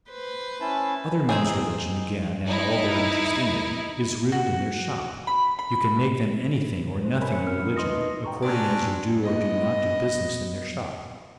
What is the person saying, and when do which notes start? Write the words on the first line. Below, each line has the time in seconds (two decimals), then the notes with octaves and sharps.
Other men's religion, again, and all their interest in it, is rooted in their shop; you can make them anything or nothing in religion, according as you do or do not do business in their shop.
0.11 B4 C5
0.61 C#4 E4 A5
1.29 C4 D#4 G#4
2.45 D#4 E4
4.32 F#4
5.27 B5
5.59 B5
7.04 C5
7.20 A#4 C#5 G#5 B5
7.32 A3 C4 C#4 E5 C#7
7.46 A3 A#4 F6 C#7
7.77 D#4 B4 D#5 C6 D#6 A#6
8.24 G5 A#5 C#6
8.42 F#3 C#4 D4 D5 A5 C6
9.19 B3 D#5